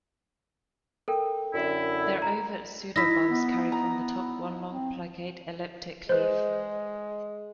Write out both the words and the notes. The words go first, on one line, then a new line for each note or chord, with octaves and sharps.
Their ovate pseudobulbs carry from the top one long, plicate, elliptic leaf.
A4 A#4 G5
F#2 D3 E4
A#5
D#4 E4 A#6 B6
B3
A#5
C4
G#3 B4 C5